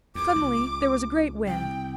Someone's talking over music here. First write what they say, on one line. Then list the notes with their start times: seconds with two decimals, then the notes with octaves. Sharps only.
Suddenly there was a great wind.
0.15 E2 D6
0.36 C#2
1.47 C2 G5